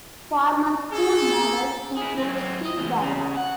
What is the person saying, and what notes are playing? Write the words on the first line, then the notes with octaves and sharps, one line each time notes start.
Former Kool Models include Steve Tyler.
C4 G#4 A4
E4 G#4
F#3 C4
D#5
E2 C3
C#3
F#5